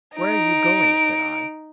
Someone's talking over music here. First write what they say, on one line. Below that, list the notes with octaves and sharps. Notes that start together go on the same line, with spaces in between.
"Where are you going?" said I.
D#4 D7